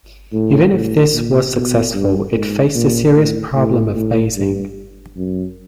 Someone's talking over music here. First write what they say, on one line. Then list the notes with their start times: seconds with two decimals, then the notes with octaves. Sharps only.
Even if this was successful it faced the serious problem of basing.
0.33 A2
0.73 A2
1.13 A#2
1.53 B2
1.94 G2
2.34 G#2
2.75 A#2
3.15 A2
3.55 A2
3.95 A2
4.36 G2
5.17 F#2